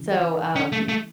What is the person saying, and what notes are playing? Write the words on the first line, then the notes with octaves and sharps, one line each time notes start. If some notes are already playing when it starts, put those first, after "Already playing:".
So, um
Already playing: C#3 E3
C#4
A3
A3